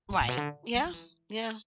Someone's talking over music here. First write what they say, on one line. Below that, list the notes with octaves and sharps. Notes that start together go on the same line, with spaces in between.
Right. Yeah. Yeah.
A2
A2
B2
D3
G3
F3
E3